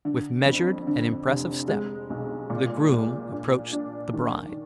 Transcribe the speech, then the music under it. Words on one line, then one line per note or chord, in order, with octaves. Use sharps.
With measured and impressive step the groom approached the bride.
D3
F2
D3
F1
G#3
B1
A#2
A#2
D4
D4
D#3